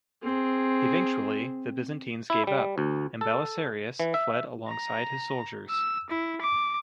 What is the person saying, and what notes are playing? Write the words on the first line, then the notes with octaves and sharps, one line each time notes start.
Eventually, the Byzantines gave up, and Belisarius fled alongside his soldiers.
C4 G#4
E4
G3
D2
A4
E3
E5
A#5
E6
E4
D6